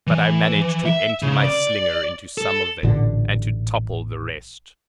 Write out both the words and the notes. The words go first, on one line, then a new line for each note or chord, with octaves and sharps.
But I managed to empty my slinger into some of them and to topple the rest.
E3
E5
C#3
D5
A4
A1 A#2 D3